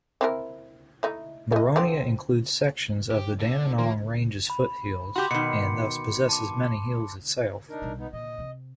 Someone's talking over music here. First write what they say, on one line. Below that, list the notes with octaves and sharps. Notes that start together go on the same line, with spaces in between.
Boronia includes sections of the Dandenong Ranges foothills and thus possesses many hills itself.
C4 E4 A#4
A3 D#4 E4
A3 D#5
D3 F3 C4
G4
D3
D#3 F3 A#3 F4
B5
F#4 G4 C6 D6
B2 D#3 C#7
A5 D6
D4 D#4 A#4
B1 G3
B3 D#4
A#2 D#5
C3 C4